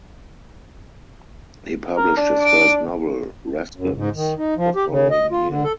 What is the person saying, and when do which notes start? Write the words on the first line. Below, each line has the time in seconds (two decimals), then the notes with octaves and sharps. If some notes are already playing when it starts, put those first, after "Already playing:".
He published his first novel "Raskens" the following year.
1.97 A#4
2.17 D4
2.40 D6
3.76 F#2
3.96 G#2
4.16 D#3
4.38 D#4
4.57 F3
4.76 G4
4.90 C#3
5.10 D#5
5.32 F4
5.49 D3
5.63 A4